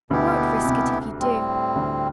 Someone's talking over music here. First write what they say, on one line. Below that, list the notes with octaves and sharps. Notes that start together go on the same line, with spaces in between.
'You won't risk it if you do.
D2 B2 D3 B3 E4 G4
C2 C3
A2 G3 C4
D2 D3